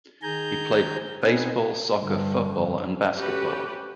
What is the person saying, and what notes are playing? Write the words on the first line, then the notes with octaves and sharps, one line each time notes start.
He played baseball, soccer, football, and basketball.
D#3 G#4 G#5 A#5 G6
B2 B3 C4 D#4 G#5
G2 D3
A3 C#4 F#4 G4 B4